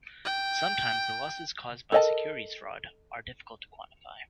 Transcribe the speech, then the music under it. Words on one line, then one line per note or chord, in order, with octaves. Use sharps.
Sometimes the losses caused by securities fraud are difficult to quantify.
G5
A4 A#4 D#5 G5 A5